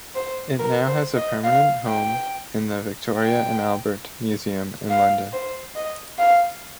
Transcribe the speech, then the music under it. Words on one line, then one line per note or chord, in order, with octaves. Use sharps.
It now has a permanent home in the Victoria and Albert Museum in London.
C5
A#4
C5
D#5
F5
G5
G5
F5
C5
D#5
F5